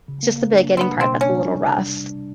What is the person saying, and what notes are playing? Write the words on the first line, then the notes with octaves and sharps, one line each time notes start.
Just the beginning part that's a little rough.
C#3
A#3
A#3
D4
G3
C4
B3 D4
B2 C4
A#3
C#4 D4
G3
C3
G3